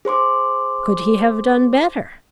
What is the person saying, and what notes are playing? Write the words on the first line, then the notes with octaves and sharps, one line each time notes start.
Could he have done better?
G#4 C5 C6 D6